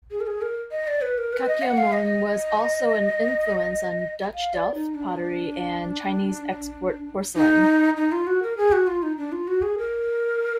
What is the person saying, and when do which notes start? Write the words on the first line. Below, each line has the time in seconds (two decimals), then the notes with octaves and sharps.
Kakiemon was also an influence on Dutch Delft pottery and Chinese export porcelain.
0.11 G#4
0.20 A#4
0.27 G#4
0.42 A#4
0.71 D#5
0.87 D5
1.02 B4
1.18 A#4
1.33 B4
1.48 D#5
1.62 F#5
1.77 F5
1.93 D#5
4.34 F5
4.54 D5
4.75 D#4
4.95 D4
7.36 D#4
7.97 D#4
8.12 F4
8.27 F#4
8.43 A#4
8.57 G#4
8.72 F#4
8.87 F4
9.03 D#4
9.17 D4
9.32 F4
9.48 F#4
9.62 G#4
9.78 A#4